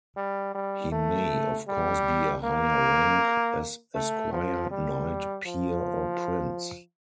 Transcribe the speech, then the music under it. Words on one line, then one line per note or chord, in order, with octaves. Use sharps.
He may of course be of higher rank, as esquire, knight, peer, or prince.
G3
G3
A3
G3
A#3
A3
F3
G3
F3